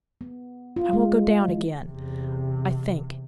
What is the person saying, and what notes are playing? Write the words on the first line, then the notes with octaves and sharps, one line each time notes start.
I will go down again, I think!
B3
F4
G#3
E3
E2 C3